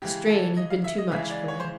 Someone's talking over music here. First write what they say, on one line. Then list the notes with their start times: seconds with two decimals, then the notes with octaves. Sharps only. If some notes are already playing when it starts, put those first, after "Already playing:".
The strain had been too much for me.
0.02 C#3 E3 G#3 G4
0.29 A4
0.57 D#5
0.70 F5
0.84 E5
0.98 D#5
1.11 C#3 E3 G#3 E5
1.30 D5
1.48 C#5
1.60 C5